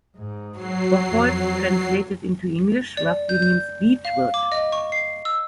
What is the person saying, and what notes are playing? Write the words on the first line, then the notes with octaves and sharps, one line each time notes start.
Bocholt translated into English roughly means "beechwood".
G#2
F#3 C7
F2
D5
G6
G6
F5
D6
D#5
C#6
C7
E6